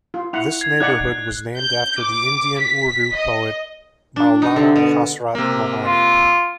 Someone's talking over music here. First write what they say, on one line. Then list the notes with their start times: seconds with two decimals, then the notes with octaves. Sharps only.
This neighbourhood was named after the Indian Urdu poet Maulana Hasrat Mohani.
0.14 F4
0.33 E4 F#5 F7
0.61 G#6 C7
0.80 D#4 D5 F#5 F#6
1.57 G6
2.01 D6
2.60 B6
3.15 D#5
4.16 D4
4.42 D#4
4.56 D3
4.76 B2
5.35 C3 A#3
5.86 F4